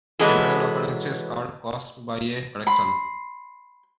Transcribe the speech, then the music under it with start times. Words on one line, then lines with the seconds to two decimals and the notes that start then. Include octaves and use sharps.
Several occurrences are caused by a correction.
0.19 E3 F#3 G#3 B3 G#4 A4
2.67 B5 C6